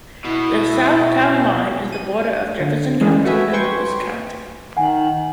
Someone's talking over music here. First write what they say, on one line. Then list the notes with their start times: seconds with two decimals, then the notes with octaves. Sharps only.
The south town line is the border of Jefferson County and Lewis County.
0.25 B2 E4
1.92 D#7
2.60 D3
3.01 E3 G#3 A#3 C#4 D4 G#4
3.24 A3 F#4 B4 E5 G#5
3.53 B4 C5 G5 G#5 C6 C#6
4.77 D#3 F#5 G#5